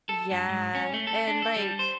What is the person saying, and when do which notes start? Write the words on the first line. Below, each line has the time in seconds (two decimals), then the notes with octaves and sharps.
Yeah, and like,
0.09 A4
0.31 G2
0.49 G#2
0.75 C#4
0.94 A3
1.07 A4
1.27 D4
1.42 A4
1.56 G3
1.79 C5